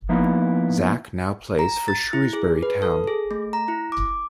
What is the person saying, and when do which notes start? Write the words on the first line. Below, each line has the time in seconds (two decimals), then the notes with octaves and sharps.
Zak now plays for Shrewsbury Town.
0.09 F3 A#3 B3 D#4 E4
1.59 A#5
1.88 A6
2.13 E4
2.33 G#4
2.63 B4
2.82 A4
3.07 G#4
3.31 A3
3.53 A#5
3.68 E4
3.92 D6